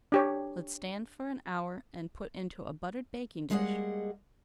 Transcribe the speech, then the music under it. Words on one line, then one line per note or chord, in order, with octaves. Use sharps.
Let stand for an hour and put into a buttered baking-dish.
D4 G4 C#5
G3 G#3 A#3 G#4 D#5 F#5